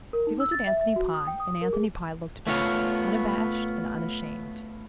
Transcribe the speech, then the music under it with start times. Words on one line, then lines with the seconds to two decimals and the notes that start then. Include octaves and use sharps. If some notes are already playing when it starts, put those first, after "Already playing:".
She looked at Anthony Pye, and Anthony Pye looked back unabashed and unashamed.
0.13 A#4
0.27 D#4
0.40 E6
0.52 A6
0.67 E5
0.81 E5
0.96 F#4
1.14 D#6
1.27 G5
1.40 D#6
1.62 A#4
1.73 G#4
2.47 A3 B3 F4 C#5